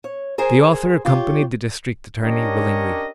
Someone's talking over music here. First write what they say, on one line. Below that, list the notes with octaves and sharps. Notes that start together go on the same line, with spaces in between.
The author accompanied the district attorney willingly.
C#5
G#4 A#4 C5 G#5
F4 G4 C#5
C#4 D4 G4 A#4 C#5 D#5